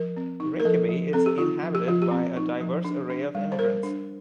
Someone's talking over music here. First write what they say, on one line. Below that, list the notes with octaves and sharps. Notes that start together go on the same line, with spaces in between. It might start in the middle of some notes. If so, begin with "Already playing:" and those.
Rinkeby is inhabited by a diverse array of immigrants.
Already playing: F3 A#4
C4
D#4
A#4
F3 A4
F3
C4 A4
G4
D#4 F4
F3
G4
F3 F4
G4
C4
D#4
F3
D4
D4
G3
C5
G3 A#4
D4